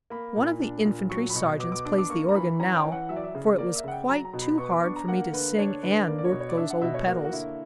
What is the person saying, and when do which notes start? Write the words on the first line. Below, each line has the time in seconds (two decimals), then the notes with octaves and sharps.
One of the infantry sergeants plays the organ now, for it was quite too hard for me to sing and work those old pedals.
0.10 A#3 B5
0.36 A#2
0.61 D4
0.85 A#2
1.10 F#3 C#6
1.30 B5
1.35 B2 C#6
1.60 B3 D6
1.72 D6
1.85 D4 D6
1.98 D6
2.10 A#3 C#6
2.29 A#5
2.35 E3 B5
2.60 C#4 A#5
2.76 G5
2.84 E3
2.92 F#5
3.09 F#3 E5
3.16 D5
3.23 E5
3.35 C#3
3.58 A#3 D5
3.75 E5
3.84 C#3 F#5
3.92 G5
4.09 F#3 A#5
4.25 A#5
4.33 B2
4.42 B5
4.58 B3 C#6
4.71 D6
4.83 D4 C#6
4.96 A#5
5.08 A#3 F#5
5.33 D3 B4
5.58 D4 C#5
5.83 D3 B4
6.07 A#3 D5
6.18 D5
6.25 C#5
6.32 B2
6.40 C#5
6.49 D5
6.57 D4 E5
6.70 F#5
6.81 B2 E5
6.94 C#5
7.07 A#3 F#4
7.25 F#4
7.32 D3 E4